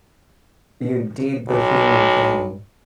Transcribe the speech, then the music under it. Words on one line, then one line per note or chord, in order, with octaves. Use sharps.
you did the human thing,
B1